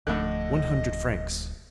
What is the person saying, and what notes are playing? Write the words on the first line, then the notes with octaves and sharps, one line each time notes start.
"One hundred francs!"
D#1 D2 A2 D3 F3 A3 D#5